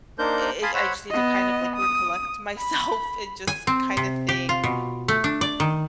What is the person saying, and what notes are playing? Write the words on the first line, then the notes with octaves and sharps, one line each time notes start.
i it I just need to kind of like recollect myself and just kinda think
A#3 D4 D#4 A#4 C5 G6
F5 G#5 A5 B5 C6 D#6
C5 C#5 F#5 B5 E6
B3 D#5
D#6
B5
G#5
C4
C3
G4
F4
B2
A3
D4
D5
D#3